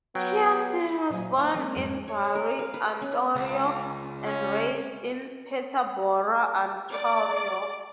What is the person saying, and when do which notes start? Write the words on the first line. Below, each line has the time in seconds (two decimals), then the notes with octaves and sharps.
Chiasson was born in Barrie, Ontario, and raised in Peterborough, Ontario.
0.15 F#3 B3 G5
1.10 A#2 F#3 C5 D#5 F5 G#5
1.36 A#3 F5
1.55 F3 G#3 A#3 C4 C#4
1.76 F2 G#2 G#3 B3
2.08 C#5
2.35 A#4
2.59 F5
2.74 B4
3.01 C#4
3.36 C#2
4.26 C#4
6.90 D5